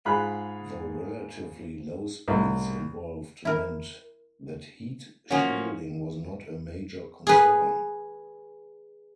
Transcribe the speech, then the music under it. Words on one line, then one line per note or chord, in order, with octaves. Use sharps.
The relatively low speeds involved meant that heat shielding was not a major concern.
G#2 F4 G#4 B5 F#6
C2 A2
E4 A#4
F3 F#3 A#3 C#4
G#4 B4